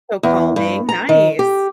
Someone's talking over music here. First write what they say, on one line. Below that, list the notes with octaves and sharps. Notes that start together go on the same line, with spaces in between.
So calming, nice.
E2
G2
A#5
D#3
G4